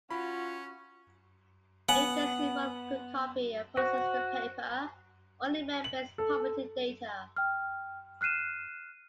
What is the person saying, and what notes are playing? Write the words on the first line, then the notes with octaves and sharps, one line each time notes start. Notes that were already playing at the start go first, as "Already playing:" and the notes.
Agents involved could copy and process the paper- or email-based property data.
C#4 F4 F#4 B5
B3 C#5 F#5 G#5
F#4 C5
F#7
A4
G5 F6
F6 F#6 C7 D#7 E7